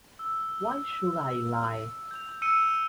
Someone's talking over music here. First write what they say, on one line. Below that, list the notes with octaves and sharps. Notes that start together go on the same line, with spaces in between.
Why should I lie?
E6
G6 F7
E6 C#7 D#7